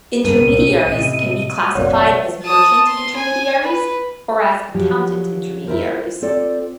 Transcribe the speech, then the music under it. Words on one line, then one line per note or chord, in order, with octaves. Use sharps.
Intermediaries can be classified as merchant intermediaries or as accountant intermediaries.
G2 C#3 A#4 D#7
C2 A#2
B1 C#4
A2 C3 D#5
F#1 B1 C4 C#5 D5 F#5
A5 D#6
C6
G#5
B4
F3 F#3 G4
E4 F4 A#4 C5
C4 F4 A4 D5